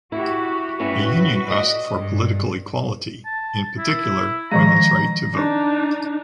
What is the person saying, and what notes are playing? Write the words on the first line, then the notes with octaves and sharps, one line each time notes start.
The Union asked for political equality, in particular women’s right to vote.
E4 F#4 G4
G2 C#4 E4 F#4 B4
D5 D#5
G2
A5
E4
D#3 F3 G#3 A#5
D4 D#4